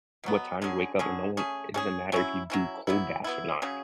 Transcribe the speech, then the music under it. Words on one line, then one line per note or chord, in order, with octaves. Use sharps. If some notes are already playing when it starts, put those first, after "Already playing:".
what time you wake up, and no one it doesn't matter if you do cold baths or not.
B2 F#3 B3
D3 F#3 C#4 G#4
D3 F#3 C#4 G#4
A3 C#4 G#4
A3 C#4 G#4
F#3 C#4 E4
F#3 C#4 E4
F#3 B3 E4
F#3 B3 E4
C#3 F#3 C#4 G#4